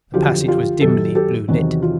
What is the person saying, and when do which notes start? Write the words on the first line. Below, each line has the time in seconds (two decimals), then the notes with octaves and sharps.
The passage was dimly blue lit.
0.14 F2 D3 F#3 F4 G4
0.48 F4 G4
0.81 F#2 D#3 F#3 G4 A4
1.15 G4 A4
1.48 E2 C3 D#3 F#3 F#4
1.82 F4